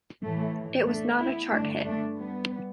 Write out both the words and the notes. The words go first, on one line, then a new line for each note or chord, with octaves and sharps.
It was not a chart hit.
A2 E3 A3
A3 D4
B3 E4
G2 D3 A3 D4
A3 D4
G3 B3